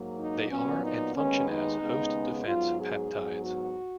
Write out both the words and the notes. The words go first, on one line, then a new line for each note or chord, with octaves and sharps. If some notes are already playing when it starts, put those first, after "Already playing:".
They are, and function as, host defense peptides.
Already playing: G#2 F#3 A#3
D#4
A#2 F#3 B3 C#4
D#4
D#2 D#3 G#3 B3 C#4
D#4
D#2 C#3 G#3 B3
G#2 F#3 B3 F4
G#4
G#2 F#3 B3
F#4